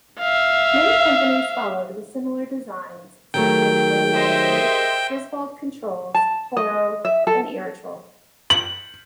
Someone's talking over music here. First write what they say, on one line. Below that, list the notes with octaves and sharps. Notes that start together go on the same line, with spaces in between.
Many companies followed with similar designs, such as Rainmaster, Griswold Controls, Toro, and Irritrol.
E5 F5
D#3 F#3 A3 G4 G#4 A#4 G5
C5 D#5 E5
A5
D#5
E5
A4
F#7